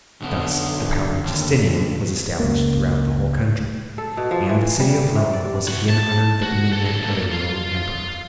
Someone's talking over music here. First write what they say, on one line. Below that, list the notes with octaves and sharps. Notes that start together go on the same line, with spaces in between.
Thus the power of Justinian was established throughout the whole country, and the city of Rome was again under the dominion of a Roman emperor.
B1 B2 D3
D#2 D3
C#2 A#3
A4
B2
F3
E3
G3
C3
D5
C3 F#4
A5
F#4
C#2 A4
A#3 A4
F4 F5